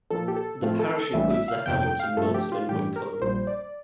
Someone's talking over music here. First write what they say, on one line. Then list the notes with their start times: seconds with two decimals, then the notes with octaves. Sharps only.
The parish includes the hamlets of Milton and Witcombe.
0.10 A#1 A#2 F3 A#3 A4
0.28 G4
0.36 A4
0.62 A2 F3 A3 C4 F4
0.79 A4
0.97 A4
1.13 A#1 A2 E3 G3 E5
1.31 E5
1.48 F5
1.66 G1 F2 C3 G5
1.83 G5
2.00 F5
2.17 G2 F3 A3 A4
2.34 G4
2.52 F4
2.69 A1 G2 E3 G4
2.96 A#4
3.21 A#1 A#2 G3 C5
3.47 D5